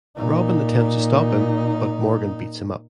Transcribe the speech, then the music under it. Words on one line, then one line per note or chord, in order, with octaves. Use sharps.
Robin attempts to stop him, but Morgan beats him up.
A#2 D#4